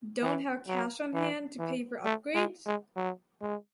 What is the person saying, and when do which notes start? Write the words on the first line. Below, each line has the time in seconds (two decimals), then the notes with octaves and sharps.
Don’t have cash on hand to pay for upgrades?
0.22 E3
0.68 F#3
1.14 E3
1.59 E3
2.05 A3
2.35 G#3
2.66 G#3
2.96 F#3
3.42 G#3